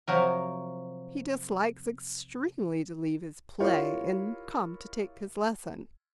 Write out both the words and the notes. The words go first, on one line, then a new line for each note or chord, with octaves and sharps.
He dislikes extremely to leave his play and come to take his lesson.
C3 F3 F#3 A#4
E4 F4 G4 A#4 C#5